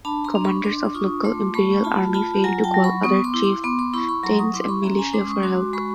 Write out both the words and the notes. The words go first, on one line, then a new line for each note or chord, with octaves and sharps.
Commanders of local imperial army failed to call other chieftains and militia for help.
D4 A5 B5
A#5 C6
D4
B5 C#6
D4 C6 D6
D6
F4 C#6 D#6
A3 C6 D6
A3 B5 C#6
F4 A5 B5
F4 A5 B5
F#3 G#5 A#5
G5 A5
F#3
B5 C#6
B3 C#6 D#6
C6 D6
E4
C6 D6
B3 C6 D6
C6 D6
E4 B5 C#6
B5 C#6
F#3 A#5 C6
C#6 D#6
E4 C6 D6
B5 C#6
C#4 A#5 C6
G#5 A#5
G#3 C6 D6
C#6 D#6
F#4 C6 D6
G#3 B5 C#6